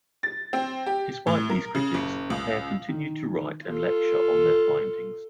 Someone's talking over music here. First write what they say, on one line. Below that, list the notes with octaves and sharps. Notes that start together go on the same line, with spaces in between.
Despite these critics the pair continued to write and lecture on their findings.
A6
C4
G4
A2
A#4
C#3
F#1
C#2
D#3
F4 A4